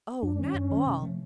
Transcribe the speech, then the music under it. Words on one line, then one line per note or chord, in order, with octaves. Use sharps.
'Oh, not all!
F#2 D4
D#3 G3 C#4
F#2
D#3 G3
C3
F3 A3